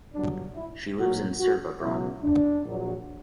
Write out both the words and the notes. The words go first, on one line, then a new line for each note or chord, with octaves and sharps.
She lives in Srbobran.
G1 G2 F#3 D4
E4
B1 A#2 F#3 F#4
F#4
C#2 B2 F#3 E4
D4
A#1 A#2 F#3